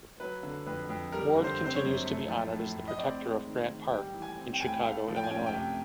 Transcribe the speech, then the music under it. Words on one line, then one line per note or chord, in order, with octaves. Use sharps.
Ward continues to be honored as the protector of Grant Park in Chicago, Illinois.
F#3 B4
D3
F2 B4
F2
G3 A#4
D3
C5
C4
C5
C#5
F#2
A3
F3
A2
A2
D#5
C4 D5
G#3
D#3
D#3
G3 G5
E3
G#5
C4
G5
A2 G#5
G5
A3 F5
F3
G5
G#5
C#4 G5
G5
C3